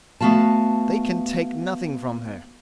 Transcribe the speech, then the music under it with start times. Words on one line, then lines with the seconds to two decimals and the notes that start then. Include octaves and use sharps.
"They can take nothing from her."
0.21 A3 B3 C4 F#4 F5 A5